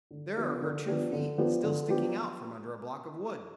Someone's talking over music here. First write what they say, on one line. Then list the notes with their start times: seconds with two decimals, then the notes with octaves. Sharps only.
"There are her two feet, still sticking out from under a block of wood."
0.11 D3
0.36 F3 B3 D4 G4
0.62 D3
0.87 F3 B3 D4 G4
1.13 D3
1.38 F3 B3 D4 G4
1.63 D3
1.88 F3 B3 D4 G4